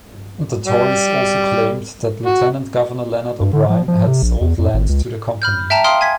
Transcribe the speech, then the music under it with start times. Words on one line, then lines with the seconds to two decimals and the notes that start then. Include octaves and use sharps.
The Tories also claimed that Lieutenant-Governor Leonard O'Brien had sold land to the company.
0.64 G3
2.26 F#4
3.40 G2
3.53 D3
3.70 F3
3.88 F3
4.07 C3
4.22 A#1
4.41 E2
4.59 F2
4.74 G#1
4.89 C#2
5.42 B5 F6 G6
5.70 E5 G5 A5 A#5
5.84 F5 G5 C6 D#6 F6
6.01 G#5 G#6 B6